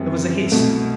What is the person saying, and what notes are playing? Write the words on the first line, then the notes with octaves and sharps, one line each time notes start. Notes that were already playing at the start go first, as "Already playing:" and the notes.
There was a hiss.
Already playing: F#2 E3 G3 B3 C4
C2 B2 F#3 A3